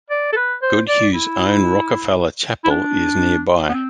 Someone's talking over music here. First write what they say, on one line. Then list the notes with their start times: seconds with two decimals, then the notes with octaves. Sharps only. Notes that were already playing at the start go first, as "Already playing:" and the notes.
Goodhue's own Rockefeller Chapel is nearby.
0.10 D5
0.32 A4
0.36 B4
0.62 C5
0.88 D5
1.14 E4
2.64 E4
2.70 D4
3.69 B3
3.73 C4